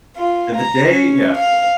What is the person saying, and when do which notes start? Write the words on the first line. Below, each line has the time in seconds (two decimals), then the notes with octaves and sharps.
and the day yeah.
0.16 F4
0.57 A#5
0.90 C#4
1.38 F5